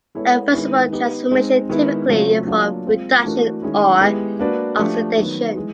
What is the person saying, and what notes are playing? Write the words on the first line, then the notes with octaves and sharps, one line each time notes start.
Irreversible transformation typically involve reduction or oxidation.
G#3 B3 E4 A4 C#5
D#3 G#3 B3 E4
B3 D#4 G4
G#3 C4 D#4
D#3 G#3 B3 E4
C#3 F#3 A3 C4 F4
F#3 A#3 D4 F4 A#4
G#3 C4 F4
E3 A3 D4 F#4 A#4
D#3 G#3 C#4 E4
G#3 B3 E4 G4
A#3 D4 F#4 B4 D5
F3 A3 D4 G4
D#3 F#3 B3
E3 G#3